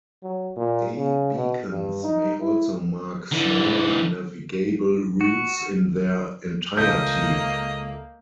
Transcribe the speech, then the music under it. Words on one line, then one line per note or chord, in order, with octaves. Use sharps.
Day beacons may also mark smaller navigable routes in their entirety.
F#3
A#2
C#3
B2
G2
D#4
E4
D3 E3
F#4
C#2 A#3 A4 D#5 E5 G6